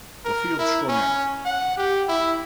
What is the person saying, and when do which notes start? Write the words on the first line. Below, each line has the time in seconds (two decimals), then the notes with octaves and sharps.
The field strung out.
0.25 A#4
0.59 E4
0.88 C#4
1.45 F#5
1.78 G4
2.08 E4